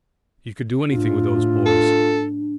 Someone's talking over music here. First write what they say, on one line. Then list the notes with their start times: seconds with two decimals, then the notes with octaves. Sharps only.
'You could do anything with those boys.
0.92 A2 D4 F4
1.66 A4